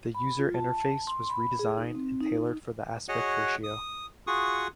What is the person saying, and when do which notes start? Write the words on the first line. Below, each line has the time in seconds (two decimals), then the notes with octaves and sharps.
The user interface was redesigned and tailored for the aspect ratio.
0.15 B5
0.39 F4
0.54 A5
1.07 C6
1.30 B5
1.59 G#4
1.78 D#4
1.95 C4
2.21 D#4
3.09 F#4 G#4 C#5 D#5 F#5
3.64 D#6
4.27 F4 F#4 G#4 C#6 D#6